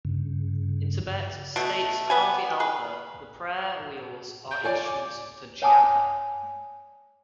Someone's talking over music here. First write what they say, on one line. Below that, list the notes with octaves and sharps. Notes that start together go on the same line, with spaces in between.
In Tibet, states Harvey Alper, the prayer wheels are instruments for "japa".
G2 C#3
B2 A3
B3 B4 G#5
G#4 B4
G6
F4 C#5 D5 G#5
D6
C#5 F#5 G#5 A5 D6 D#6